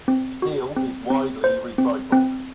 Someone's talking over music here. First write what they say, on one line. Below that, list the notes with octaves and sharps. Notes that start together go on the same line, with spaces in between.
Steel is widely recycled.
C4
F#4
C4
C4
C5
C4
C4